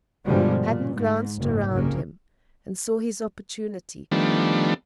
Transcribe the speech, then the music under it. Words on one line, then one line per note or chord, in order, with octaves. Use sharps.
Hadden glanced around him, and saw his opportunity.
G2 B2 D3 F3 G3 G#3
A#2
G#2
F#1 G#2
F#1 C2 C#3 A#3
D#3 F3 G3 A3 B3 D4